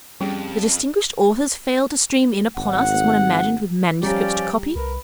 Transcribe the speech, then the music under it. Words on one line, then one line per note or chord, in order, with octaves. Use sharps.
The distinguished authors fail to stream in upon us as one imagined with manuscripts to copy.'
F2 G3 C#4 G#4
G#1 F#5
F3 G3 C#4 G4 D5 A#5
C2 A#4 B4